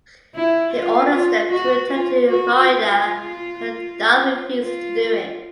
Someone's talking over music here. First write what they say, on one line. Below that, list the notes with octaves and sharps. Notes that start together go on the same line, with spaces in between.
He orders them to return to Florida but Daryl refuses to do it.
E4
F4
F4
F#4
F4
F#4
F4
F4